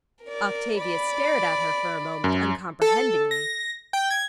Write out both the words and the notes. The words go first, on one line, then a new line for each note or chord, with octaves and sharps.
Octavia stared at her for a moment uncomprehendingly.
A#4 D5
D5 B5
F#2
A4
A#6
G5
G#6